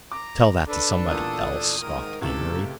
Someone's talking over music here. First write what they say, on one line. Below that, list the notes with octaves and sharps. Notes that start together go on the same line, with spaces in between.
"Tell that to somebody else," scoffed Amory.
A#5 D6
D4 A4 B4
E2 A#2 D#6
G#2 D#3 A#4
C#2 A2 C3 G4 A4